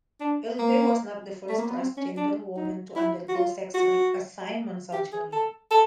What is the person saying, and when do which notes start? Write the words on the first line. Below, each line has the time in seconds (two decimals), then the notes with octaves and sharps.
Elbe was not the first transgender woman to undergo sex reassignment surgery.
0.21 D4
0.59 A#3
1.49 A3
1.59 A#3
1.68 B3
1.78 C4
1.97 C#4
2.17 D4
2.57 D#4
2.96 E4
3.29 F#4
3.35 F4
3.75 F#4
4.93 G4
5.13 G#4
5.33 A4
5.71 A4